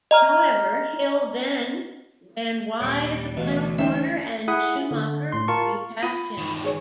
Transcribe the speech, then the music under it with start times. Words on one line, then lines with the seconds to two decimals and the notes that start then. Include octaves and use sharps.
However, Hill then ran wide at the final corner and Schumacher repassed him.
0.11 D#5 A#5 F6
2.80 D#2 A#2 G3 C#5
3.37 D2 B2 E3 F5
3.78 C#4 D#4 C5 E5
4.48 E4 G#4 F#5 B5 D#6
4.76 C#4
4.91 D3
5.32 A2 C6
5.48 F4 A#4 A5 C#6
6.03 F4 B5
6.38 G2 D#3
6.64 G#4 C#5